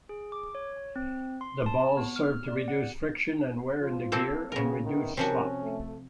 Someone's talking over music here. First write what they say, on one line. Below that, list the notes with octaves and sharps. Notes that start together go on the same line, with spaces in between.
The balls serve to reduce friction and wear in the gear, and reduce slop.
G#4
D6
C#5
C4
C6
A5
B3
F6
D5
F#5
F3 F4
A#3 C4 A4
G2 C#3 B3 C4 G#4 A#4
E2 D#3 A3 B3
C3 F3 C#4 D#4 F#4 G4 A#4
A3